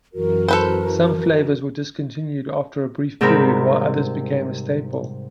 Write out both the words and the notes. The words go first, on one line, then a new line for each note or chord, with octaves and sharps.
Some flavors were discontinued after a brief period, while others became a staple.
F#2 E3 F#4 A#4
A4 B4 C5
G#2 C3 G3 C4 A#4 B5